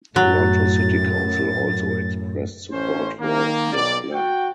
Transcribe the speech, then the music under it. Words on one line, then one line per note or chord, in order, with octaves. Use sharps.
Toronto City Council also expressed support for this plan.
F#2 A2 F#3 A6
A1 C#4 C5
D#3 A#3
B1 D5
F#4 G5